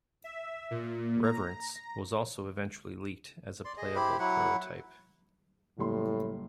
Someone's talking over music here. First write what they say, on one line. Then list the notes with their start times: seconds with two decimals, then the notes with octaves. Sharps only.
"Reverence" was also eventually leaked as a playable prototype.
0.24 E5
0.71 A#2
1.23 A#5
3.65 D5 C6
3.77 G#4 D#5
3.96 E4 G4 C5 B5
4.19 F#3 E4 F#5
5.78 F#1 A2 G3 C6